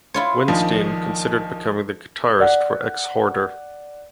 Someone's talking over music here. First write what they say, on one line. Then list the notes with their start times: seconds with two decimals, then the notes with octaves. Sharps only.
Windstein considered becoming the guitarist for Exhorder.
0.14 E4 F4 C#5
0.48 A#1 D#3 F3
2.40 D5 F#5